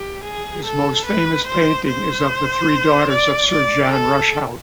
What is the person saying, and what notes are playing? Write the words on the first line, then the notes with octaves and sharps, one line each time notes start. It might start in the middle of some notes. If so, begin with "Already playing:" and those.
His most famous painting is of the three daughters of Sir John Rushout.
Already playing: G4
G#4
A4
B4
C5
C5
D5
D5
A4